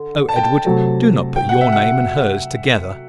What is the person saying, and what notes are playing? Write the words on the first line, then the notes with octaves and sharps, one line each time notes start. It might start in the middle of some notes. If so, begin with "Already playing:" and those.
"Oh, Edward, do not put your name and hers together!"
Already playing: D3
A5
G5
A5
C3 F#3 A3
G5
F#5
E5
F#5